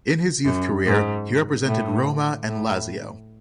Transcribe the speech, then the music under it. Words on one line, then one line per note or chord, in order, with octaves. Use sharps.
In his youth career he represented Roma and Lazio.
F#2
G#2
A2
A2